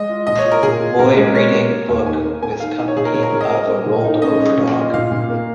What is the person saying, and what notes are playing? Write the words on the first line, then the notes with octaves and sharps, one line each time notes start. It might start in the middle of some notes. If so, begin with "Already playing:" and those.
Boy reading book with company of a rolled over dog.
Already playing: G#3 D#5
F4
A#2 D#5
C#5
F4
A#4
A#2 G#4
F4
A#2 A#4
G#3
A#3 C#5
A#3
A#3
D#2
D#3 G#5
A#3
A#3 G#5
D#3 F5
D#4
C#5
A#2 G#4
A#4
A#2 C#5
A#4
A#2
D#5
A#3
A#3
A#2
D#4
C#4 D#5
C#4
A#2
F4
A#2 F5
A#2
A#3